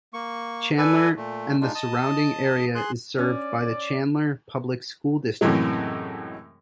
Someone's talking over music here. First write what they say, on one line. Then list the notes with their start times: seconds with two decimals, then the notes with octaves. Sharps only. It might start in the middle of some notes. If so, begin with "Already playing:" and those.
Chandler and the surrounding area is served by the Chandler Public School District.
0.14 A#3 C#6
0.78 A4 B4 D5 G#5
1.16 A#2 A3
1.61 G#3 D4 D#4 F4
1.75 D#5 A5 D#6
2.75 G#4 C6 F#6
3.18 C#4 D5
5.41 F#2 A2 C3 E3 F#3 G#3